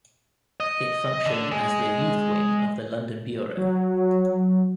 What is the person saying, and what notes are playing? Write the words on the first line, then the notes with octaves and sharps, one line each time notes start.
It functioned as the youth wing of the London Bureau.
D#5
D3
G#3
F#3